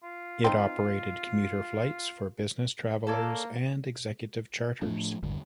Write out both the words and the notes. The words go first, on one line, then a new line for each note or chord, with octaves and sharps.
It operated commuter flights for business travellers and executive charters.
F4
C4 D#4
A#3 A4 C#5 D5
A2 F3 A3 D4
G#1 E2 G2 D3